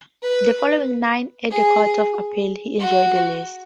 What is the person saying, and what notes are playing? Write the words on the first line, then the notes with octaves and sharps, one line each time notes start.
The following nine at the Court of Appeal he enjoyed the least.
B4
G#4
F#4